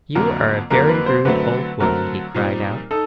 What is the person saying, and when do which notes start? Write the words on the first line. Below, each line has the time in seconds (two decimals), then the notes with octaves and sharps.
'You are a very rude old woman,' he cried out.
0.15 F2 D3 F#3 A#3 A#4
0.70 F2 D3 F#3 A#3 A#4
0.89 B4
1.06 C5
1.25 D3 F#3 A3 C4 B4
1.80 D3 F#3 A3 C4 A#4
2.35 A#2 G3 C4 D#4
2.91 D#4 A4